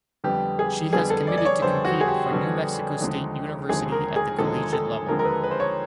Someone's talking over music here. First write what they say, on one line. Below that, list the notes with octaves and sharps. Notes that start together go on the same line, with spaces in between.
She has committed to compete for New Mexico State University at the collegiate level.
F2 D3 G3 B3 G4
G#4
F2 D3 G3 B3 G#4
A4
D5
D5
C#5
F2 D3 G3 B3 C5
F#4
G#4
G4
F2 D3 G3 B3
D#2 D3 F3 G#3
D#2 D3 F3 G#3 G#4
A#4
G#4
D#2 D3 F3 G#3 A4
A4
D#2 D3 F3 G#3 A#4
A#4
B4
B4
C5
C#5